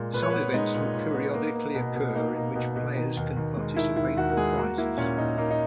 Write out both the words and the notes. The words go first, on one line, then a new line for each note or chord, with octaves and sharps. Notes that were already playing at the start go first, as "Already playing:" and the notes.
Some events will periodically occur in which players can participate for prizes.
Already playing: A#2 G#3
A#2 B4
C#5
B3 B4
G#3 D#4
A#2
A#2
B3
A#3
A#3
B2
B2
A#3 D#4
A#3
B2
B2
D#3
D#2
D#2
G#3
D#3 E4
D#2 E4
D#2 F#4
A#4
G#3 G#4
A#3 F#4
A#3 E4
A#2 C#4
A#2 D#4
A#3 D#4
D#4